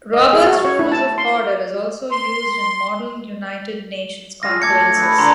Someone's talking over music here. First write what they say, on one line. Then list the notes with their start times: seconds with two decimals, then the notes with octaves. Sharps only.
"Robert's Rules of Order" is also used in Model United Nations conferences.
0.13 D#5
0.33 G#4
0.46 F#4
0.65 C#5
0.79 E4
0.92 A5
1.18 C6
2.11 C6
4.43 F4 G#4 A#6
4.62 A3 D6 G#6 C#7
4.96 G#4 B4 E5
5.18 D3 G4 B4 A#5 C6